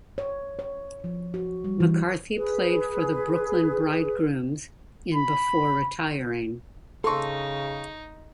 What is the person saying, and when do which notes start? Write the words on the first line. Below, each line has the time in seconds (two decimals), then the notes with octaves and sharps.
McCarthy played for the Brooklyn Bridegrooms in before retiring.
0.18 C#5
0.59 C#5
1.04 F3
1.34 F#4
1.64 G3
1.80 E3
2.35 G#4 B4
5.14 B5
7.04 C#3 D#4 A4 C6 C#6